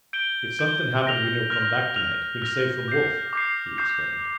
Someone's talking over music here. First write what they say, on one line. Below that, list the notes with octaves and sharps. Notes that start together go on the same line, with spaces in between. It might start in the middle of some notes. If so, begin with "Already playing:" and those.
"If somethin' happen we no come back to-night heem safe from wolf," he explained.
G6 D7 G7
G6 D7 G7
F6 A#6 F7
F6 A#6 F7
F6 A#6 F7
F6 A#6 F7
D6 G6 C7
D6 G6 C7
D6 G6 C7